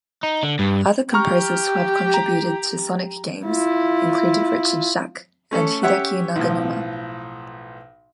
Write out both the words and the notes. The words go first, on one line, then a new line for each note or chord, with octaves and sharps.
Other composers who have contributed to "Sonic" games include Richard Jacques and Hideki Naganuma.
D#4
D3
G2
G4 A#5 C#6 F6
A#5
E4 F4
A3 C#4 A4
C#4 G4 C#5 E5 F#5
B1 A2 F3